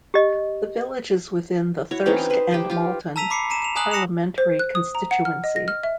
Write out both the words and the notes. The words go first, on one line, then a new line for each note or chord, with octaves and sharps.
The village is within the Thirsk and Malton parliamentary constituency.
G4 D#5
E4 F#4 C#5
E3 C4 C#4 D#4
D#4
B4 C5
G4 B4 C5
F4 G4
A5 A#5 E6 B6 D#7 F7
B5 D6 C7 C#7
A#5 D#7 E7
E7 F7
G#5 A#5 D#6 F#6 F#7
D#6 A#6 C#7 E7 F7
C5
F#6
D#6
A#5
F#5
F6
D#5
A#6
F6
E5